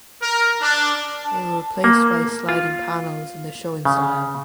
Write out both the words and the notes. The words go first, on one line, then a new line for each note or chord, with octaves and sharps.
They were replaced by sliding panels in the Shoin style.
A#4
D4
A5
A#3
F4
C#3